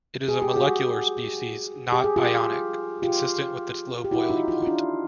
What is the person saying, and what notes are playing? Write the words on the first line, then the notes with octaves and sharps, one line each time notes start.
It is a molecular species, not ionic, consistent with its low boiling point.
G#4
G4
F#4 G#4
G4
G#4
F4 G4
F4 G4
G4
E4 F#4
D#4 F4
D#4 F4
F4
D4 E4